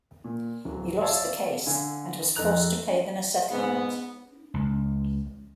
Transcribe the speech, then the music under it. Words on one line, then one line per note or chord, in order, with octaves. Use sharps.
He lost the case and was forced to pay them a settlement.
A#2
D1 F#3
C#5 D5 E5 F5 A5 E6
D3 F5 G#5
F2 D#4 A4 A#5 F#6 F7
G#2 B3
C#2